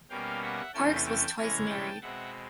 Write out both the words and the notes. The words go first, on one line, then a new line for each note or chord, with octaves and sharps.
Parkes was twice married.
B2 G3 A#3 C#4 F5 G5
E5 F#5
E2 C3 E3 A3 C#4 G5 A5
G5 A5
C3 E3 G#3 C#4 G#5 A#5
G5 A5
B2 G#3 C4 E5 F#5